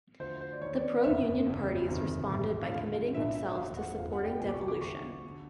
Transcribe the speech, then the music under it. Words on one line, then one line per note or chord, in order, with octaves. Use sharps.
The pro Union parties responded by committing themselves to supporting devolution.
D2 D3 F3 C5
C5
D5
D#2 D#3 C#5
D5
G1 F2 C#3 E5
F#1 E2 C#3 E3
G1 F2 C3 D#3
B1 A2 E3
D#2 D3 F3 F5
F5
B1 A2 F3 E5
E5
E1 D#2 D3 F3 F5
F#5
G1 F2 D3 F3 F5
F#5
G5
C2 A#2 F3 G#5
D6
C#6
D6
D2 D3 F3 C#6
D3